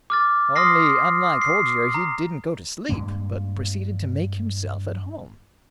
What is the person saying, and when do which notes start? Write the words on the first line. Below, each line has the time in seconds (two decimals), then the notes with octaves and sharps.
Only, unlike Holger, he didn't go to sleep, but proceeded to make himself at home.
0.10 D6 F6 A6
0.56 C6 D#6 F6 A#6 C7
1.41 C7
1.94 A#5
2.89 G2 G3 G#3 A#3